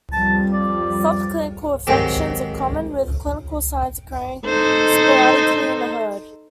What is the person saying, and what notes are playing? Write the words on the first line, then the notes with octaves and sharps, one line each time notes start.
Subclinical infections are common, with clinical signs occurring sporadically in a herd.
F2 F3 G3 A5
D5
G#2 D#3 F#3 G#3 C4 G4
D#4 A4 C5